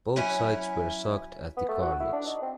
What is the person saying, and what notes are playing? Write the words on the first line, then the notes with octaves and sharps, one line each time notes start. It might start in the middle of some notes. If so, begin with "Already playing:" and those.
Both sides were shocked at the carnage.
F#3 C#4 E4 E5 F#5 G#5
B3
A3
F#4
E4
D4
D#4
C4